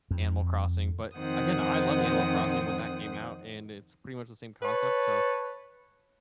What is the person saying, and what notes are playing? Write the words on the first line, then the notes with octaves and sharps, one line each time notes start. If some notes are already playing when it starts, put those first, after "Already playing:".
Animal Crossing, but again, I loved Animal Crossing when that came out, and it's pretty much the same concept, so
F2
F2 D#3 C4 C5 F#5 D#6
B4 C#5 A5